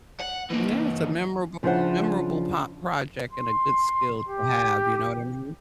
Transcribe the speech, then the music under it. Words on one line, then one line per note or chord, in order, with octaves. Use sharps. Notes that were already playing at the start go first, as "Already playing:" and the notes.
Yeah. It's a memorab memorable po project and a good skill to have, you know what I mean?
F#5
E3 A#3
C#3 F3 D4 E4 C5 F#5
C6
G4